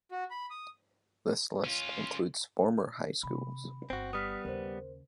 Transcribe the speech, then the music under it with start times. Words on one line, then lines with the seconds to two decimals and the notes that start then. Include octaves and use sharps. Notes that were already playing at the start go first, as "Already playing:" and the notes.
This list includes former high schools.
0.11 F#4
0.31 B5
0.50 D#6
1.64 C#4 F4
3.23 C3 D#3 B5
3.90 G1 C4 F#4
4.13 G3 B3 D#6 F6 B6
4.44 D#2 C#3 A#4 C5